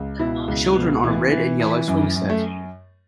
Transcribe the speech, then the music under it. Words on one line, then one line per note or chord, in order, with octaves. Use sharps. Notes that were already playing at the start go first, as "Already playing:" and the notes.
Children on a red and yellow swing set.
Already playing: C#2
B2 E4
C#2
B2
E3
E3
E3
F#2
F#2
A3